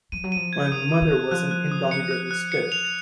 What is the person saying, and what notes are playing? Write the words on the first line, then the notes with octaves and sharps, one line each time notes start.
My mother was an indomitable spirit.
F3 D#7
F#3
F3 D#7
G#6
D#3 D#6
D#6
D#3
F#6
F3 F#6
F#6
D#6
C#7
F#6
F#6
C#7
F7